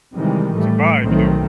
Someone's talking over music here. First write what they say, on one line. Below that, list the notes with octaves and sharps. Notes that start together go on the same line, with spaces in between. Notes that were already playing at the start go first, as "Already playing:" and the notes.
survive, you know?
C3 D#3 E3 G3 G#3
A2 G3 A3
B1 B2 D#3 F#3 A3 C4